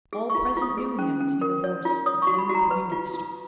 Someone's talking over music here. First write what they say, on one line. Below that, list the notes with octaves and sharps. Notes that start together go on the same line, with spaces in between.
All present knew him to be the horse of Henry Poindexter.
G#4
C#6
F4
C#6
F4
D#6
G#4
C#4
C#4
A#4
C#5
F4
C#5 D#6
F#4 C#6
B5
F#4
A#5
B4
F4
F4